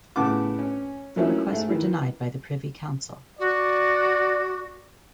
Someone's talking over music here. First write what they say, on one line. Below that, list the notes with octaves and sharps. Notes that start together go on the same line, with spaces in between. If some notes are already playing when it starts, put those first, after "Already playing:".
Their requests were denied by the Privy Council.
A2 C#3 B3 F#5 A5 D6
C#4
F#3 A3 A#3 C#4 D#4 E4
G#2 A3
D#3 E3
F#4 D5